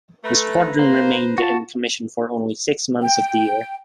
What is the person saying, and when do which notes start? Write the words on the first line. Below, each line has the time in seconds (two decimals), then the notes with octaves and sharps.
The Squadron remained in commission for only six months of the year.
0.24 A3 B4 A#5
0.79 A#3 C5
1.38 F4 F#4 A5
3.03 G5